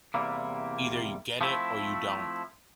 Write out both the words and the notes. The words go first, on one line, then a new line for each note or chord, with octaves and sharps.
Either you get it or you don't.
E2 C3 G3 A#3 E4
F3 A3 C4 E4